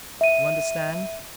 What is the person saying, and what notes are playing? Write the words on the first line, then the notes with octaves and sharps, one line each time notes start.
You understand?
E5 D#7